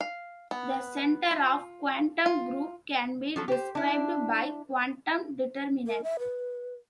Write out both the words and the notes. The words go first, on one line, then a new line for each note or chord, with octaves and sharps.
The center of quantum group can be described by quantum determinant.
F5
B3
F4
F4
F3 F#3 A4
G4 C5
D4 E4
A#4
E5
B4